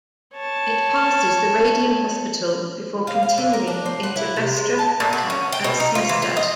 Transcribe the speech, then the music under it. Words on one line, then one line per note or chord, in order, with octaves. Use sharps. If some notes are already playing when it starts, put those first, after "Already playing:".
It passes the Radium Hospital before continuing into Vestre Aker at Smestad.
C#5 A5
F5
F5
D3
A#4
D4
C5
F#5
E4
C3
G#3
A5
A#2
F#4
C#4
G5
B2
D#4
F4
E3
F4
D#5